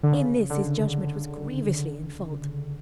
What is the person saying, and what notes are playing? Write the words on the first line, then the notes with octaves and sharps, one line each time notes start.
In this his judgment was grievously in fault.
D3
C#3
D3